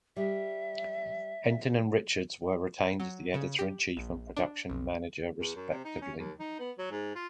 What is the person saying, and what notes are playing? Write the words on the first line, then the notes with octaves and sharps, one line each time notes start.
Henton and Richards were retained as the Editor in Chief and Production Manager respectively.
G3 E5
F#3
C#3
G4
A#1
D4
B1
E2
F#2
C3
D#4
C#4
D#2
D#4
B3
F#3
G#2
F4